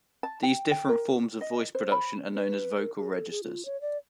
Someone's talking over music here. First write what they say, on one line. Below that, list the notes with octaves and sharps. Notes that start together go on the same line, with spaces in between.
These different forms of voice production are known as vocal registers.
A5
G5
G5
A#4
D#5
C5
B5
B4
A#4
G#4
A4
G#4
F4
C#5
D5